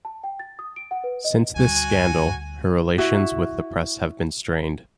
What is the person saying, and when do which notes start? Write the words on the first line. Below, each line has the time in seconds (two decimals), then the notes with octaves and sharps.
Since this scandal, her relations with the press have been strained.
0.05 A5
0.24 G5
0.39 A6
0.59 D#6
0.76 D7
0.91 F#5
1.04 B4
1.24 D#5
1.56 D2 G3 F#4 G#5
2.98 E4 F#4